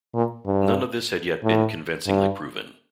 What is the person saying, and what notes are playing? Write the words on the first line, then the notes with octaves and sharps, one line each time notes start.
None of this had yet been convincingly proven.
A#2
G2
A2
G2